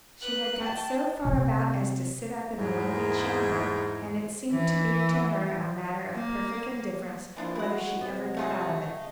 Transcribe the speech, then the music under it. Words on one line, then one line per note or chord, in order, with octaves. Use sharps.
She had got so far about as to sit up in the windy chamber; and it seemed to be to her a matter of perfect indifference whether she ever got out of it.
B4 F#6
G5 A5
C3 C4
E2 G#2
E3
A#3
E3 F3 A#3 D4 E4 F4
F#3 G#3 E4 F#4 F#5
C3 F#3 B3
A3 F4 G#4
C#3 D#5 F5